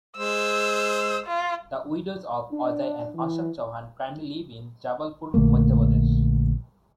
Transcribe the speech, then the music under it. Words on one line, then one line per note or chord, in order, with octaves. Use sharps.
The widows of Ajay and Ashok Chauhan currently live in Jabalpur, Madhya Pradesh.
G#3 C5 E6
F4
D4
E3
A#1 D3 A3 A#3